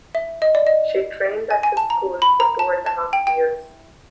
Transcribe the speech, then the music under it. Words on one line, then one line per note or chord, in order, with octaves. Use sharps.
She trained at his school for two and a half years.
E5
D#5
D5
D#5
G#5
G#5
A5
A#5
B5
A#5
A5
A5
G5
G5